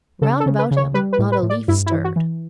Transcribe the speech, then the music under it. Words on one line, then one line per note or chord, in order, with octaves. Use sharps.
Round about him, not a leaf stirred.
C#3 A4
A4
C#3
B4
C#3
C#5
G3 B4
B4
A2
B4
A2
D5
G2 E4
E4
E3
F#4
E3